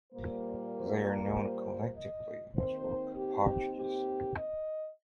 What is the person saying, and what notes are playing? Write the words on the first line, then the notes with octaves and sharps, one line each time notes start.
They are known collectively as rock partridges.
A#2 G3 A#3 C5
C5
A#4
C5
D#5
D#2 D#3 C4 C5
G4
G4
D#5